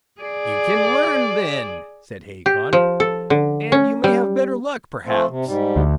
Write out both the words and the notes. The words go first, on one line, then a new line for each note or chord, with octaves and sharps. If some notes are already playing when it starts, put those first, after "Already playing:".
'You can learn then', said Hacon, 'and you may have better luck, perhaps.'
G#4 D5
G4
F3
A4
D3
C#4
G3
F3 A3 C4
C3
G#2 G3
D2